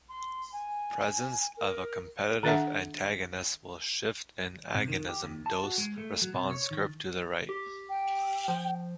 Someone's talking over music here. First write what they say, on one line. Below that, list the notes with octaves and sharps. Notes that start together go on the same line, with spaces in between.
Presence of a competitive antagonist will shift an agonism dose-response curve to the right.
C6
G#5
A#4
D#3 D4 E5 F#5
C3
D#3
G4
D#2
A5
F#4
G#3
A3
F#3
C3
C#5
D#3
G4
G5
F3